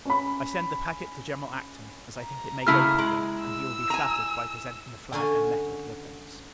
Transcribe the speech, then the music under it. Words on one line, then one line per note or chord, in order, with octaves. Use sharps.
I send the packet to General Acton; as I think it may go quicker, and he will be flattered by presenting the flag and letter to the Prince.
C#4 B5
A#5
C#3 A3 E4 G#4 F6
G#3
E6
G#5 A#5
D3 C#4 G#5